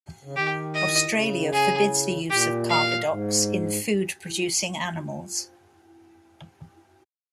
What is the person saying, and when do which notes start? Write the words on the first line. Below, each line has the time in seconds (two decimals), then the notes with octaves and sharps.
Australia forbids the use of carbadox in food producing animals.
0.24 C#3
0.35 D#3 G4
0.74 D#5
1.13 C#3
1.53 G#4
2.30 A#2 G4
2.69 F5
3.09 G#2